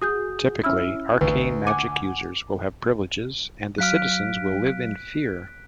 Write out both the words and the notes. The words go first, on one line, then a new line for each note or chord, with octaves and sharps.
Typically, arcane magic users will have privileges, and the citizens will live in fear.
F#4 G#4 D#6 G6
C#4 E4 E5 E6 F6
A1 D2 B4
F#5 G#5 D6
F#3 F5 F6 F#6 B6 D7